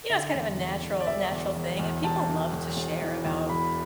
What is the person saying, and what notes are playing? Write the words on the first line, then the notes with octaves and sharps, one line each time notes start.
you know, it's kind of a natural natural thing, and people love to share about
D3 E5
E2
E1
E1
D5
E1 E5
E2
E1
E2
E1 A5
E1
E1
E1
E3
E2
E1 B5